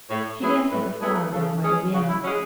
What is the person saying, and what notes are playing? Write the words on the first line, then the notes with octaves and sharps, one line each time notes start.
She danced like a flower blown by the wind.
A2 C#5
F#3 B3 E4 G#4
A2 B4
F#3 B3 E4 G#4 A4
C#3 A4
G#3 C#4 G#4
C#3 F#4
E4
G#3 C#4 F#4